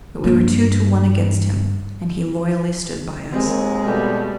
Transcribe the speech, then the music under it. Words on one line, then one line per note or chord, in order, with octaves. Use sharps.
But we were two to one against him and he loyally stood by us.
G2 A#3
D#2 G#3 C4
B2 F#3 G3 A3